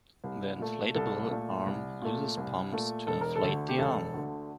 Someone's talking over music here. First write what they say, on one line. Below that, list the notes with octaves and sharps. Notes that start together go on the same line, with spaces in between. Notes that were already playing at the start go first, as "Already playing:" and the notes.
The inflatable arm uses pumps to inflate the arm.
C2
A#2 A3
C2 A4
A#2 A3
C2
A#2 A3
C2
A#2 A3
E1 A4
A#4
A4
D2 D3
G4
E1 A4
D2 D3